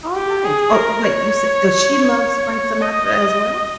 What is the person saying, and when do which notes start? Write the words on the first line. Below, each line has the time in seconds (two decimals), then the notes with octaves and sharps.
Oh, nice oh, wait, you said so, she loves Frank Sinatra, as well?
0.16 G4
0.45 G#4
0.74 A#4
1.05 C#5
2.52 C#5
2.82 D#5